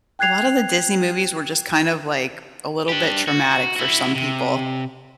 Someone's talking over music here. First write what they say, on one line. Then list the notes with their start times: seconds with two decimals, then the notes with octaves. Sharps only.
a lot of the Disney movies were just kind of, like, a little bit traumatic for some people.
0.19 G5 F#6 G#6 C7 F7
2.89 D4 G4
3.28 F#4
3.76 E4 F#4
4.15 C3